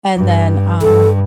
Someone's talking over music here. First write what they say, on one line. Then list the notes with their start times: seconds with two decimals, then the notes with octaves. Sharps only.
and then, um,
0.16 G2
0.82 G2 A4